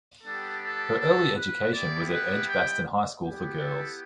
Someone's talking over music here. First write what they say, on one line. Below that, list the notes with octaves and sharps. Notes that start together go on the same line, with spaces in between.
Her early education was at Edgbaston High School for Girls.
G3 B3 D4 G4 A4
A4
A4
B4
G3 B3 E4 G4 D5
B4
G5
B3 E4 G4
A4